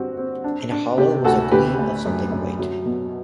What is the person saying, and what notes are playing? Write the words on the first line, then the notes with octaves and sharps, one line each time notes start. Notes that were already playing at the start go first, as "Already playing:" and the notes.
In a hollow was a gleam of something white.
Already playing: G2 D3 C4 F#4 G4
C4
D4
D4
C3 G4
D2 F#4 A4
D3 G4 B4
A3
F#2
F#2
F#3
B2